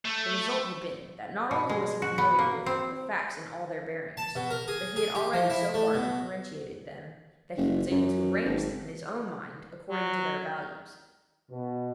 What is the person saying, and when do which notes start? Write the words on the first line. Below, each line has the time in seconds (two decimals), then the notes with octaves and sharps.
The result had been that not only was he familiar with the facts in all their bearings, but he had already so far differentiated them that he was able to arrange them in his own mind according to their values.
0.05 A3
1.51 B2
1.69 G#3
2.02 F#4
2.18 B3
2.39 A#3
2.66 C4
4.17 A5
4.35 B2
4.51 A#4
4.68 G#4
4.96 G#4
5.15 G4
5.33 F3
5.50 E4
5.74 A3
5.94 B2
7.57 F#1
7.91 F#2
8.45 G#1
9.90 F#3
11.50 B2